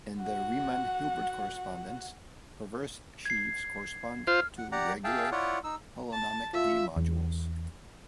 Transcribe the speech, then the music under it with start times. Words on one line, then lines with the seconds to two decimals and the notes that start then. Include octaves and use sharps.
In the Riemann-Hilbert correspondence, perverse sheaves correspond to regular holonomic D-modules.
0.22 F#4 F#5
3.26 G#6 C7
4.27 F4 C5 F6
4.58 F#5
4.72 G4 D5 F#5 A#5
5.04 G#4 E5 F5 G5 A5
5.32 E4 F4 C#5 D5 F#5
5.64 D#4 E6
6.12 A5
6.54 F4 E5
6.96 E2